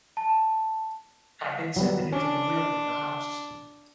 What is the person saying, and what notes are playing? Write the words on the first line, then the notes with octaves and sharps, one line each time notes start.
Abbot submitted to the will of the House.
A5
F#3 G3 B3
C#4 D4